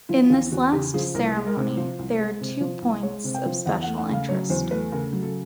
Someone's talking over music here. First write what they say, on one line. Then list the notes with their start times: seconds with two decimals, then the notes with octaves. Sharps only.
In this last ceremony, there are two points of special interest.
0.09 F3 E4
0.30 E2 F4
0.52 E2 F#4
0.73 C#3 G4
0.94 F3 G#4
1.14 C2 A#4
1.36 G#3
1.46 A#4
1.57 C3
1.77 F3 C5
1.99 C2
2.19 G#3
2.41 C3
2.61 F3
2.82 C2
3.03 G#3 C#5
3.24 C3
3.34 G5
3.46 F3
3.66 E2 F#5
3.82 F#5
3.86 A3
3.98 F#5
4.08 C#3 F5
4.29 F#3 C#5
4.50 E2 C5
4.71 A3 B4
4.92 C#3 A#4
5.12 F#3
5.23 A4